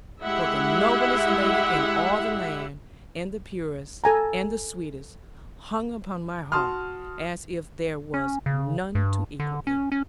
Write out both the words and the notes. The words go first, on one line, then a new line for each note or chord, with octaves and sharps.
For the noblest lady in all the land, and the purest, and the sweetest--hung upon my heart, as if there was none to equal it.
G#3 E4 G4 E5 F#5
A4 G#5 A#5
F#4 A5 C6 D#6 F6
C#4
C#3
G2
D3
C#4
C#4